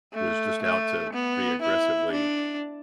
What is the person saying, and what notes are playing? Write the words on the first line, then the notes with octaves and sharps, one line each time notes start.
was just out to be aggressively
A3
A3
B3
E4
D4